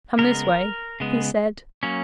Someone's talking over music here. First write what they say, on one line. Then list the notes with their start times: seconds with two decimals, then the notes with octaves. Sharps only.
"Come this way," he said.
0.18 C#3 G#3 B3 A#4
1.00 C#3 G#3 B3
1.83 F#3 A#3 C#4